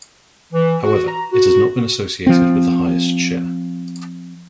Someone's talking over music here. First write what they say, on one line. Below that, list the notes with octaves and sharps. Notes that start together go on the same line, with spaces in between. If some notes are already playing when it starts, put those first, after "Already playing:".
However, it has not been associated with the highest share.
E3
F#4
A#5
F#4
F3 C4